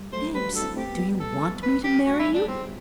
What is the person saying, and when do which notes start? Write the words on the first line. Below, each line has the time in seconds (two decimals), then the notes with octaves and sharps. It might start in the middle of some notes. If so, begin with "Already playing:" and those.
"Bibbs, do you want me to marry you?"
Already playing: G3
0.13 F#3 A3 C5
0.34 G3 B4
0.48 D4 F#4
0.55 A4
0.62 C4 E4
0.76 A3 C4 G4
0.88 G3 B3
0.98 G3 B3
1.09 G3
1.20 A4
1.63 B4
1.84 G4
2.05 A3 F#4
2.19 G3 E4
2.33 F#3 A3 D4
2.48 G3 B3 C4